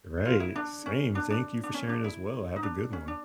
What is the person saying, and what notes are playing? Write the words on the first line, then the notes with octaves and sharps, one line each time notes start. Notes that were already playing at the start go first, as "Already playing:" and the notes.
Right. Same. Thank you for sharing as well. Have a good one.
F4
E4
D4
C#4
D4
D4
D4
C#4
D4
E4
D#4
D4
C#4
D4